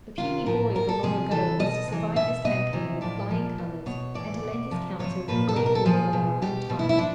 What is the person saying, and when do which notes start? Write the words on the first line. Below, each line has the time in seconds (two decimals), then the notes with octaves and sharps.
The puny boy of the long ago was to survive this campaign with flying colors, and to lend his counsel in the Great War of our own time.
0.18 C3 D#3 F4
0.46 A2 F3 A#4
0.75 B2 A#4
0.89 A4
1.03 C3 F3 G#4
1.31 C3 E3 A4
1.59 B2 D#5
1.88 C3 E3
2.16 B2 E5
2.45 B2 D#5
2.73 C3 E3
3.01 A2 F3 D5
3.29 A#2 F3
3.58 B2
3.86 B2 C#5
4.14 A2 E3 D5
4.43 B2
4.71 C3 F3
4.99 C3 F3 C#5
5.28 A#2 F3 B4
5.49 A4
5.56 B2 A#4
5.66 A#4
5.75 A4
5.85 A#2 F3 G#4
6.13 B2
6.42 B2 G4
6.70 B2
6.79 E4
6.89 E4
6.98 F3 D4